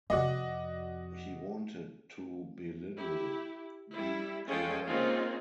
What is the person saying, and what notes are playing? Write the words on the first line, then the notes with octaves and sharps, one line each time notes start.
He wanted to belittle the Imam.
F2 C3 F#4 D5 D#5
E4 G4
G3 E4
G#3 C#4 F4 A4 G5
G#3 A#3 C4 C#4 D#4 F4